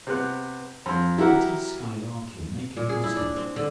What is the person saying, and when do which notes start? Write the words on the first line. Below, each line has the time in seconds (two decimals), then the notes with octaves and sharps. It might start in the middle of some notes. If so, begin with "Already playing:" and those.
A pretty skylark you'll make of yourself!
0.07 C3 B3 F#6
0.86 F2
1.17 F#3 E4 G4 A#4 F#5
2.77 A#2
2.89 G#4
3.04 E4
3.16 D4
3.36 C4
3.56 D3